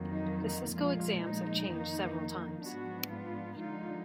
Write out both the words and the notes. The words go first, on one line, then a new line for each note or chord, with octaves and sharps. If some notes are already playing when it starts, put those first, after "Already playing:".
The Cisco exams have changed several times.
Already playing: F2 D#3 F#3 A#3
D#4
D#4
A#2 F3 G#3 F4
D#4
F2 D#3 A#3
G#2 F3 B3 D4 F#4
F4
D3 F3 G#3 D#4 F4